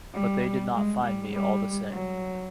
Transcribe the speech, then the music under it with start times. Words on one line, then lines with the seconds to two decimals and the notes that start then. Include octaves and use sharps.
But they did not find me all the same.
0.13 G3
0.73 G#3
1.03 G3
1.32 G3
1.92 F#3